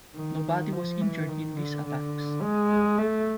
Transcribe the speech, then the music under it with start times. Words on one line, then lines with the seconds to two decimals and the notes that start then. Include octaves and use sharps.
Nobody was injured in these attacks.
0.16 D#3
0.73 F3
1.01 E3
1.29 D#3
1.57 D3
1.85 D3
2.42 G#3
2.98 A3